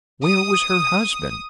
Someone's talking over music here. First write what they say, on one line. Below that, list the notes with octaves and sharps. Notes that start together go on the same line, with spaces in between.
Where was her husband?
D#6